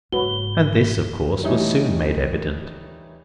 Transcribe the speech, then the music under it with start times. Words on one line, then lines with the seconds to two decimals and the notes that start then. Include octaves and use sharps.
And this, of course, was soon made evident.
0.12 F#1 G#2 F#4 B4 C#5 G7
1.43 E3 G3 A3 D#4 G4 C#5